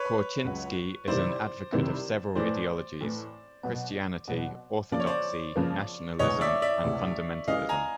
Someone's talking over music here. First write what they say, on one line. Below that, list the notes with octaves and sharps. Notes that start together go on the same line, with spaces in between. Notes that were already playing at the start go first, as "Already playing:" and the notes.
Korchynsky is an advocate of several ideologies - Christianity, Orthodoxy, Nationalism, and Fundamentalism.
Already playing: B4 C#5
C#2 C#3 F#3
C3 D#3 G3 C4 E4 C5 D5
C3 D#3 G3 C4 E4
A2 E3 A3 C5 D5
A2 E3 A3
B2 F#3 B3
B2 F#3 B3
C#3 F3 A#3 D5
C#5
C5 D5
C#3 F3 A#3
D2 C3 E3 G#3 C#5 D#5
D5 E5
D5 E5
D2 C3 E3 G#3
C#3 E3 G#3 D#5 F5
G#5 A#5